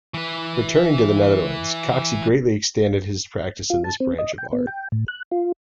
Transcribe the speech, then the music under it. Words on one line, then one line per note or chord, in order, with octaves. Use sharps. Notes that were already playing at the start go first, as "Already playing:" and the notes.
Returning to the Netherlands, Coxie greatly extended his practice in this branch of art.
E3 B4
F4
A5
C4
D#5
G5
B3
G5
A2
F#6
F4